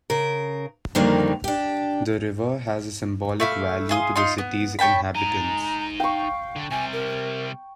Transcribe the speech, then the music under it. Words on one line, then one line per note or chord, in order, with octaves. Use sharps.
The river has a symbolic value to the city's inhabitants.
C#3 A#4
F2 D3 D#3 G3 A#3
D4 G4
A3 E4 F5
G#4 F5 C6 D#6
D#4 F4 F5 C6
B3
C#5 G5 A5 B5
D#4 G#5 A#5
F5 G5 C#6
D3
C3 G3 G#5
A#4